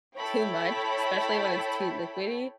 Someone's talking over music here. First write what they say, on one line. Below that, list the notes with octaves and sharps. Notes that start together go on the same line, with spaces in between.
too much, especially when it's too liquidy.
E4 A4 C#5 G5 B5